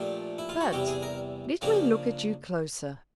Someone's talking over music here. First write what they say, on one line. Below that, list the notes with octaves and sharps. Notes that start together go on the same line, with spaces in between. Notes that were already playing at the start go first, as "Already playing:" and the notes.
But let me look at you closer.
Already playing: A#2 F3 A3 D4 G4
E4
F4
F#4
E2 C3 E3 G3 G4
G#4
A#4
C#3 F3 A#3 D4 G4